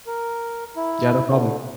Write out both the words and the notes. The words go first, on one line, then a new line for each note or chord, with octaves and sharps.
Yeah, no problem.
A#4
E4
D3